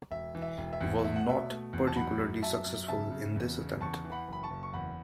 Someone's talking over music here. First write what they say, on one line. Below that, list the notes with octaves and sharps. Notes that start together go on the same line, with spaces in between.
He was not particularly successful in this attempt.
E1 E5
E3
E5
E1
E5
E2
A3 E5
F#5
B2 E5
A3
E2
A5
F#2 F#5 B5
F#2
F#2 E5 A5
F#2
C#3 E5 A5
C#3
E2
C#3
E2 A5 C#6
E3
F#5 B5
F#1 B5
A5 C#6
F#1
C#6
E2 F#5 B5